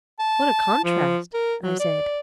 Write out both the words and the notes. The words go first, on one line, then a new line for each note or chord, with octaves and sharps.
"What a contrast!" I said.
A5
F3
A#4
F#3
D5